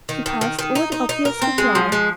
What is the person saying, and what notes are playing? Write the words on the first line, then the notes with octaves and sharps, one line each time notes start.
He passed over the obvious reply.
D#3
D#3
D#3
D#3
D#4
D#4
D#4
A#4
C4
G#3
F3
G#3